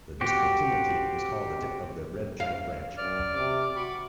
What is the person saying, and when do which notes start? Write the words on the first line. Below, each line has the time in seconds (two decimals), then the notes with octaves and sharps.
This discontinuity is called the tip of the red-giant branch.
0.21 C4 F#4 G4
2.40 F5
2.97 F#2 D5 F6
3.35 C3 D6
3.76 F#4 B5 C#6